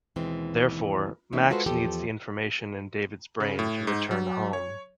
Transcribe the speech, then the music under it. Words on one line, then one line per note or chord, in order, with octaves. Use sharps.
Therefore, Max needs the information in David's brain to return home.
D#2 B2 E3 G#3 C4
E3 A#3 C4 C#4 D#4 E5
G#3 F4 F#4 A4 B4 C5
E2 F3 G4 A4
C#3
A2
G#2
F#3
C#5